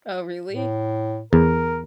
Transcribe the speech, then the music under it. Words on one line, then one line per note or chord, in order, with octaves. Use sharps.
Oh, really?
A2
E2 A#4